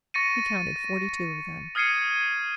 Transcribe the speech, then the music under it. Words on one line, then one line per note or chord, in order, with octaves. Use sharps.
He counted forty-two of them.
C#6 A6 A#6 C#7 D#7
D#6 F6 G#6 C7 C#7 D#7